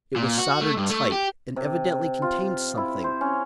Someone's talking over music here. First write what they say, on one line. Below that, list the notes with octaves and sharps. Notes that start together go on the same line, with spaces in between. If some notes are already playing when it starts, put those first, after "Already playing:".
It was soldered tight and evidently contained something.
A#2
F#4
A3
G2
A3
G4
C3
F4
E4
C5
C#4